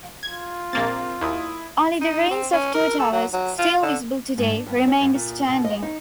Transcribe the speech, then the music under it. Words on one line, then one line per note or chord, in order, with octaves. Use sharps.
Only the ruins of two towers, still visible today, remained standing.
F4 G#6
A#1 A#3 C4 A6
D#2 E4 D#6
D#4
C4
C#4
A#4
A4
F#3
F#3
F4
D3
G#2
D4
G2
C#4
F#2
A#2
B2
D#5
D#4